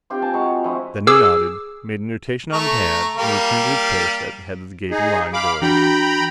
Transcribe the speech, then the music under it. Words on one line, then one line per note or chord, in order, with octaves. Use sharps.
Then he nodded, made a notation on a pad and returned to his post at the head of the gaping line of boys.
C4 F4 G4
G#5 A5
G#3 F#4 A#5
F3 E4
G#4 D6 E6
A3 A#5 C#6
G3 A#3 F5
D#4 G#4
F5 B5 D6
E3 D4 F#4 G5 A#5 B5